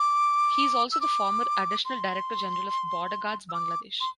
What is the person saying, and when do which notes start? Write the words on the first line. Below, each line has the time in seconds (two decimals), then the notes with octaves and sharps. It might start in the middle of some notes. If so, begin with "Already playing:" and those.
He is also the former additional director general of Border Guards Bangladesh.
Already playing: D6
0.92 E6
1.01 D6
1.85 C6
3.49 E6
3.53 D6
4.01 C6